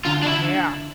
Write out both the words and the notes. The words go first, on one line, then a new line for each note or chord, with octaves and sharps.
Oh, yeah.
D3 F4
D4
D3 E4